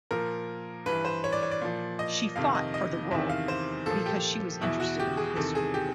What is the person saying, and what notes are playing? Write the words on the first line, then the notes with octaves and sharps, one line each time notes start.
She fought for the role because she was interested in the history.
A#2 F3 A#4
G2 E3 B4
C5
C#5
D5
C#5
D5
A#2 F3
D#5
F2 C3 D#3 F5
D#5
D#5
E2 C3 D#3 E5
F5
C5
A#2 F3 A4
G4
E2 B2 E4
F#4
G4
G#4
E2 C3 D#3 A4
G#4
G4